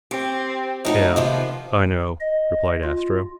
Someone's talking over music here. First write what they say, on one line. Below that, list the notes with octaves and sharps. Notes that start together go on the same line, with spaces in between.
"Yeah, I know," replied Astro.
C4 G4
F2 A2 D#4 F#4
C3 D#3 F3 B3
D#5
F4